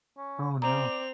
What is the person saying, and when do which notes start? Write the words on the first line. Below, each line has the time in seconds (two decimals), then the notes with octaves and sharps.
Oh, no.
0.17 C#4
0.62 C4 D5 A#5 F7